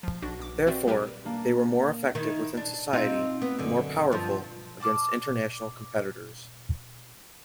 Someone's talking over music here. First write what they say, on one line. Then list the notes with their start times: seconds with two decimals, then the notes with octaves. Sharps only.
Therefore, they were more effective within society and more powerful against international competitors.
0.03 F3
0.22 B1 D4 F#4
0.39 B1 D6
0.67 C4 F#4 B4 D5 E5
0.87 G3 G4 A#4 B4
1.25 A#3 D4
2.15 D#3 E4
2.57 D4
2.93 C4 D#4 F4
3.42 B3
3.58 F#2 D3
4.12 G2 F3
4.80 D5 A5 D6 F6